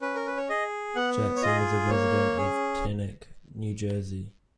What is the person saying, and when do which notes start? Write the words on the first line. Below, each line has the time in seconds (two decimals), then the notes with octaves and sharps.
Jackson was a resident of Teaneck, New Jersey.
0.01 C#4 B4
0.15 A#4
0.27 B4
0.37 C#5
0.49 G#4 D#5
0.96 B3 F#5
1.36 C#5
1.43 F4 G#4 D#5
1.90 A#3 C#5
2.37 C#4 G#4